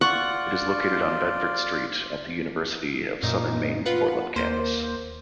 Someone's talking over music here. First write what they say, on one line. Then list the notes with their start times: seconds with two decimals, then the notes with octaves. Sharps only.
It is located on Bedford Street at the University of Southern Maine Portland Campus.
0.01 F4 D5 F#5 C#6
3.23 F#2 A#2 D#4
3.85 F4 B4 F#5
4.36 D#2 A#3 C5